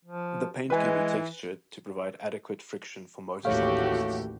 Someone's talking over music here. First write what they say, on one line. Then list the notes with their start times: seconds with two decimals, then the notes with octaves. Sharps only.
The paint can be textured to provide adequate friction for motorcyclists.
0.05 F3
0.70 E3 G#3 B4 G#5
3.45 A1 D#2 A3 F#4 G4 C#5 F5